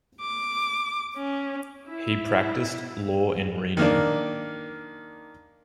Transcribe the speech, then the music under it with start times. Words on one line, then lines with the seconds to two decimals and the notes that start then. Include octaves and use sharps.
He practiced law in Reno.
0.21 D6
1.17 C#4
1.87 E4
3.77 D#3 A#3 D4